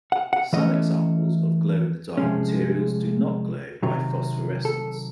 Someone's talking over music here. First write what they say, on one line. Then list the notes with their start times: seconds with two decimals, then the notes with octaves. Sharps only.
Some examples of glow-in-the-dark materials do not glow by phosphorescence.
0.12 F#5
0.33 F#5
0.53 E3 A3 C#4 D#5
2.17 C3 F3 G#3 C#4
3.83 C3 D#3 F#3
4.65 A4